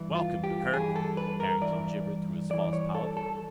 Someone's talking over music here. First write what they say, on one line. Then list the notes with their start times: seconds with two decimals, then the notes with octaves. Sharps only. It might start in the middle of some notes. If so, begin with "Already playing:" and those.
"Welcome, Gurgurk," Harrington gibbered through his false palate.
Already playing: G2 E3
0.15 F4
0.44 G4
0.73 G2 E3 G#4
0.96 A4
1.17 B4
1.40 A#4
1.61 E3 D5
1.67 G2
2.50 G2 E3 D5
2.73 C#5
2.95 A4
3.17 A4